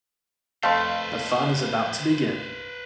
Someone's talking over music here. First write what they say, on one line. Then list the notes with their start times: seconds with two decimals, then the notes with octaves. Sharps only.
The fun is about to begin.
0.63 F2 A3 B4 C5 F5 A5 C6